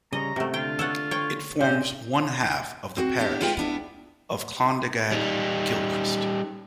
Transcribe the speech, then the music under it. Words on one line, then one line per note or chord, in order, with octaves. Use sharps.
It forms one half of the parish of Clondegad-Kilchrist.
C#3 G3 C#5 D#5 A#5
C3 A3 F#4 G5
D3 F4 G5
A4 C#5 F#5
C#5 G5
A#2 G4 G#4 C5 D#5
C4 F#4
B3 D4 E4 G4
G#3 F4 B4 G5
B3 D4 E4
G3 D#4